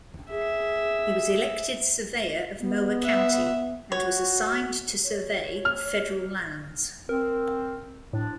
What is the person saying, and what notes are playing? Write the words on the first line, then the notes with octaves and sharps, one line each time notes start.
He was elected surveyor of Mower County, and was assigned to survey federal lands.
G#4 E5
B3
E5 F#5
F#4 C#5
C#5
F6
C4 A#4
A2 F3 D4